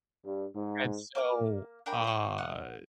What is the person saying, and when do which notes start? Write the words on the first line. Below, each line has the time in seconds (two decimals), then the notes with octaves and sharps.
And so, uh,
0.25 G2
0.54 G#2
1.15 A#3 D6 F6
1.86 D4 A#4 G5 B5
2.04 C5 C#6
2.38 F#5 F6 F#6